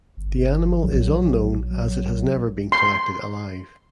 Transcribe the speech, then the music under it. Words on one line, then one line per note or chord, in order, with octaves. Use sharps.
The animal is unknown as it has never been collected alive.
G1
A#1 F#3
F#3
C6